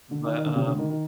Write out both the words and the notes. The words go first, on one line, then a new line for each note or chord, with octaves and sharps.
But, um,
D3
D#3
D#3
D3
C3
D3
D#3
D#3